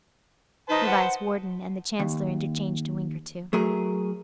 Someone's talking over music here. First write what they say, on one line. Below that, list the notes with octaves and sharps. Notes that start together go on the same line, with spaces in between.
The Vice-Warden and the Chancellor interchanged a wink or two.
D#4 B4 C5 A5
F#5
D#2
F#3 A3 G#4 A#4